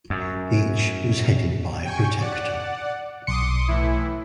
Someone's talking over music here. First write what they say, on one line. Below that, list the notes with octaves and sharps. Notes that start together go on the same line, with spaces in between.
Each was headed by a Protector.
F#2
G5 G#5 C#6
D5 F#5
B1 C6 D6 D#6 C#7
A2 E3 E4